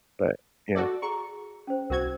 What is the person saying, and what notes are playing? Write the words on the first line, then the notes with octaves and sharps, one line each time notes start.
But, yeah.
F#4 A4 D5
G#4 A#5 C6 C#6
C#4 C5
C2 F#4 A#4 C5 G#6